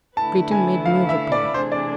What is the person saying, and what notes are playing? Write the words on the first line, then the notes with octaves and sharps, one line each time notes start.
Breton made no reply.
D3 A3 E4 B4 A5
G#5
F5
E5
D5
C3 E3 A3 D4 G#4 C5
D5